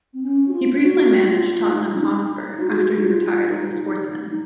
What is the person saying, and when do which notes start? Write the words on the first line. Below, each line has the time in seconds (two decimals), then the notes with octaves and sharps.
He briefly managed Tottenham Hotspur after he retired as a sportsman.
0.14 C4
0.23 C#4
0.48 F#4
0.53 F4
0.74 F4
0.82 F#4
1.26 F4
1.71 D#4
1.96 C#4
2.01 D#4
2.30 D#4
2.60 F#4
2.70 G#4
2.79 F#4
2.97 D#4
3.04 F4
3.49 D#4
4.30 D#4